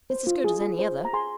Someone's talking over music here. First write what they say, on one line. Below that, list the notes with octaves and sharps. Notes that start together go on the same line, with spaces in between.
"It is as good as any other."
C5
F4
G#4
F4
C5
F4
A#5
G#4 G#5 C6